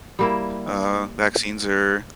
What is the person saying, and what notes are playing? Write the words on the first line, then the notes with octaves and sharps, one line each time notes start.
uh, vaccines are
G3 A#3 E4